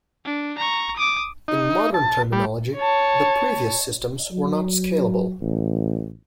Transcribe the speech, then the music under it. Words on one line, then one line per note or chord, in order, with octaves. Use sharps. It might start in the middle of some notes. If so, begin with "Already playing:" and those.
In modern terminology, the previous systems were not "scalable".
D4
A#5 C#6
D6 D#6
D#4
A5
G3
C#5 A5
F#3
A1